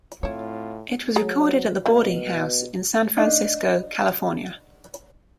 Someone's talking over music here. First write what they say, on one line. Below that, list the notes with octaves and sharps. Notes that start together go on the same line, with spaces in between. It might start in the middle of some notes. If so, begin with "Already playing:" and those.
It was recorded at The Boarding House in San Francisco, California.
A2 C4 E4 F4 C#5
F#3 G#4 A#5
B2 A3 A#3
D4 D#4 F5